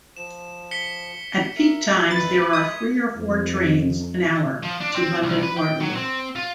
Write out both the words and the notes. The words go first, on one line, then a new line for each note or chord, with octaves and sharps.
At peak times there are three or four trains an hour to London Waterloo.
F3 E7
B6 C#7 G7
A#4 E5
F2 E4 B4 A6
G#3 E5 D#6 G#6 B6
F2
F3
D4
C4
C2
B4
G5
F#3
C4
F4